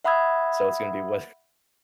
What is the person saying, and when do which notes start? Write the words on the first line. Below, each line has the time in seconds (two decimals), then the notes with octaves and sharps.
so it's gonna be wha
0.05 E5 F#5 B5 D#6 E6 G#6